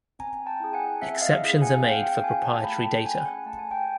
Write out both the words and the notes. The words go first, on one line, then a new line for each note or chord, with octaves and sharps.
Exceptions are made for proprietary data.
C4 G#5 A#5
G5 A5
E4 G#4
F#5 G#5
C4 E5 F#5
D#5 F5
E4 G#4
F#5 G#5
F#5
C4 F5 G5
F5 G5
E4 G#4 F#5 G#5
G5 A5
A3 A5 B5
G5 A5
C#4 F4 G#4 F#5 G#5
F#5 G#5
A3 A5
G#5
G5 A5